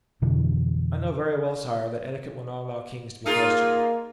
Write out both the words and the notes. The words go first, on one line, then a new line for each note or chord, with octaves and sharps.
I know very well, sire, that etiquette will not allow kings to be questioned.
F2 B2 D3 E3
A#3 D#4 F4 G#4